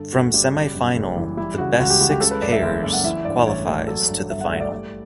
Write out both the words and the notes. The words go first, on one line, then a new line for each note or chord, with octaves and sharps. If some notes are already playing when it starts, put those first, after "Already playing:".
From semifinal the best six pairs qualifies to the final.
Already playing: G2 D3 A4
G1 F#4
G3
C#3
F#2
F#1
E3
G3 E4
C#3 F#4
C#2 F#4
G4
C#2 F#4
G4
C#3 A4
B4
F#2 D5
E5
F#1
F#1
F#5
E3 E5
G2 D5
A1 C#5
A3
F#3 A4
G2
G1 E5
F#5
A3 E5
D5
G3 D5